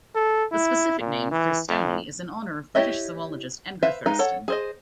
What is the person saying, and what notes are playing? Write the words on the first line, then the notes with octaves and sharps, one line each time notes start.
The specific name, "thurstoni", is in honor of British zoologist Edgar Thurston.
A4
E4
A#2
E3
F2
E4 G4 C#5 D#5 E5
B4 C5 E5 F5
G#3 D#4 B4 F5
A4 C#5 F#5
G#4 C5 D#5